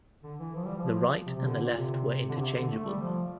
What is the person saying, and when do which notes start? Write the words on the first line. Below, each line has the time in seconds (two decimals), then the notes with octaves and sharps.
The right and the left were interchangeable.
0.23 D3
0.39 E3
0.55 F3
0.65 G3
0.77 F3
1.26 C3
1.36 C3
1.47 D3
1.62 A#2
1.77 C3
2.29 D3
2.40 C3
2.54 D3
2.71 A3
2.85 G3
3.01 F3